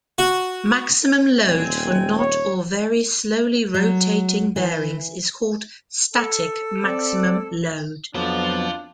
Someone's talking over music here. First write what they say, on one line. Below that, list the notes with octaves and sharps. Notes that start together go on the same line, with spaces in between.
Maximum load for not or very slowly rotating bearings is called "static" maximum load.
F#4
D#1 C4 G#5
C#5
F#3
E3
A4
C4 D5
F2 F#3 B3 D4 F4 C5